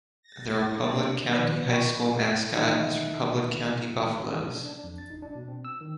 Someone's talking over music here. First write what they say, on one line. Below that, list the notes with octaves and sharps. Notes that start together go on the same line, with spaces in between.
The Republic County High School mascot is Republic County Buffaloes.
A6 A#6
A#3 D4 D5
D#3 F3 D#4 B4 D5
D5 D#5 G5 A#5 B5 C#6
E2 D#3 A3 B4 F#5 G#5
D4
D4
F2
A6
D#4
D4
B2
C4
E6
D#3